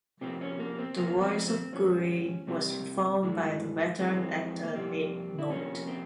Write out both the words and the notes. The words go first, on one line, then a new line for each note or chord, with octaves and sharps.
The voice of Kuiil was performed by veteran actor Nick Nolte.
C3 F3 A#3 C4
C#4
A#3
C4
F2 C3 F3 A#3
C4
C4
G2 F3 G#3 C#4
C3 G3 A#3 C4
G2 E3 G#3
F2 E3 G#3 C4
A#3
F2 C3 G3 A#3 C4
E4
F2 C3 F3 A#3 C#4
C4